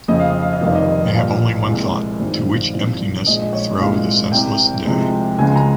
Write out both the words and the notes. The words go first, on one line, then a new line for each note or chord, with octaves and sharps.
They have only one thought: To which emptiness throw the senseless day?
F2 C#3 F3 D#5
F5
D#5
F5
D#5
F1 F2 D#3 G3 F5
D#5
A#1 A#2 G3 F5
C2 A#2 F3 G#3
G#1 G2 F3 G#3
C2 A#2 F3
A#1 A#2 G#3 D#5
D#5
C#5
C2 A#2 G#3 F5
C2 C3 G3 G5
C2 C3 F3 G#3
C#2 C#3 F3 G#3 G#5
A#5